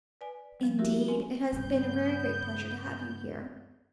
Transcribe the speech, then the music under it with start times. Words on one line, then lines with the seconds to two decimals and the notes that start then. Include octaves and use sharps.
'Indeed, it has been a very great pleasure to have you here.'
0.21 B4 D5 G#5
0.60 F3 G3
0.78 E4 F#4 G4 A#4 E5
1.08 A#3 C4 C#4 G#5
1.52 G2 C#3 B3 G6